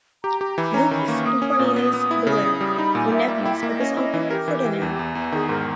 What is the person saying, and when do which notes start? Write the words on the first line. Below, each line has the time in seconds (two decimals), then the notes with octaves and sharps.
Lucas and Cornelis de Wael were nephews of his uncle Ferdinand.
0.24 G4 A#5
0.40 G4 A#5
0.58 E3 B5
0.74 C#4 A#5
0.91 D#3 B5
1.08 A#3 C#6
1.25 A#3 D#6
1.42 C#4
1.59 A#2
1.76 B3
1.93 B3
2.11 E4
2.27 C#3 D#6
2.44 C#3
2.61 G3
2.78 D#4 B5
2.94 A#2 G#5
3.12 A#2 E5
3.28 A#3 E5
3.41 E4 G5
3.55 E5
3.63 A#3 D#5
3.80 C#4
3.97 E4
4.14 E3
4.30 G4 A#4
4.48 E3
4.65 E3
4.82 E2
4.99 E2
5.15 E2
5.32 D#3 G#4
5.49 G#2 A#4